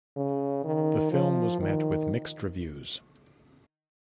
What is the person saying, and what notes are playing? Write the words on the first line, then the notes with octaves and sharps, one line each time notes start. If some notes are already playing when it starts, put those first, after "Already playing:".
The film was met with mixed reviews.
C#3
D#3
F3
D#3